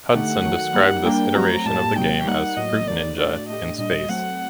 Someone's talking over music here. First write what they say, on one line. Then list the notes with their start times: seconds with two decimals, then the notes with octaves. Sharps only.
Hudson described this iteration of the game as ""Fruit Ninja" in space".
0.13 D3 A3 D#4 G4 F#5
0.44 D#3 F#3 A3
0.74 G3 A#3 D#4 G4
1.05 G3 A#3 D4 G5
1.35 F#3 A3 C4 F#4 A#5
1.66 A2 G3 A#3 A5
1.96 C3 F#3 A#3 D#4 G5
2.27 G3 A#3 D#4 F#5
2.57 A2 F#3 A#3 F#4 D#5
2.87 D#3 A3 D#4 D5
3.18 A2 A3 D4 F#4 D5
3.48 A2 A3 D4 G4 D#5
3.79 A#2 G3 D4 D#5
4.09 F#3 A3 C4 F#5